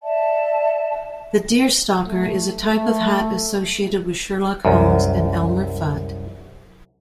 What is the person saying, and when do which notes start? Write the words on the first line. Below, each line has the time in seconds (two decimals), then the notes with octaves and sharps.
The deerstalker is a type of hat associated with Sherlock Holmes and Elmer Fudd.
0.03 D5 E5 A5
2.07 A3
2.64 A3
4.65 C2 F#2